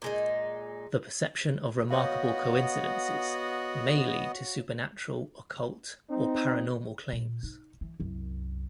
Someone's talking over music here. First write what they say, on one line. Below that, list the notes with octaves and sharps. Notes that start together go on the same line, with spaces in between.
The perception of remarkable coincidences may lead to supernatural, occult, or paranormal claims.
A#2 G#3 D#4
B3 F#4 C#5 D#5 F5
C4 D#4
A#2
D#4
E3
C2 F#2